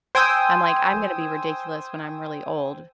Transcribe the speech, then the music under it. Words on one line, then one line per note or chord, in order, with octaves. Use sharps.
I'm like, I'm gonna be ridiculous when I'm really old,
C5 G5 G#5 D#6 E6